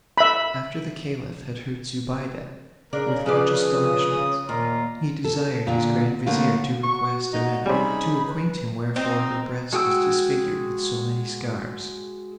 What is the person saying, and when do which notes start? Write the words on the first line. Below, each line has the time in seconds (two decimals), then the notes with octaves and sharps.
After the caliph had heard Zobeide with much astonishment, he desired his grand vizier to request Amene to acquaint him wherefore her breast was disfigured with so many scars.
0.18 E5 B5
2.93 C#3 D4 A#4
3.26 F3 G#4 B4 D5 D#6
3.58 D#6
4.49 D#2 A#2 F4 A#5
5.24 A4
5.67 A#2 D3
6.26 A2 D3 A3 A#3
6.84 F#4 C#6
7.33 D#4
7.66 C3 G3 C#4 D#4 G#4 B5
8.27 B4
8.96 C4 D#4
9.73 G#3 F#4 G#4 G5 E6